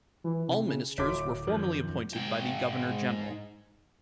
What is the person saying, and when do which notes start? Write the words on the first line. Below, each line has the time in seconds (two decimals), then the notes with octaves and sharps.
All ministers were formally appointed by the Governor-General.
0.24 E3
0.48 C3
0.68 C#3
0.98 D1 F#4 C#5 D6 B6
1.47 F#2 D#3 F3
2.13 G#2 G5